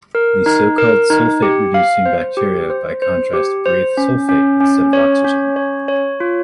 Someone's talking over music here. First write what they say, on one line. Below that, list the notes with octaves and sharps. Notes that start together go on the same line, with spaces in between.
The so-called sulfate-reducing bacteria, by contrast, "breathe sulfate" instead of oxygen.
A#4
D#4
A#4
D#4
G4
F5
C5
G4
C5
C5
G4
C5
C#4
C#4
C#4
C#5
C#4
C#5
C#5
F4